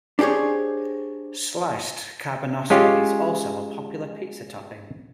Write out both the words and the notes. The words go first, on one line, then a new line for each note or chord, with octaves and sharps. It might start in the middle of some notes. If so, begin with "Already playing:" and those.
Sliced cabanossi is also a popular pizza topping.
D4 G4 G#4 C5 C#5
G#3 C#4 F4 G4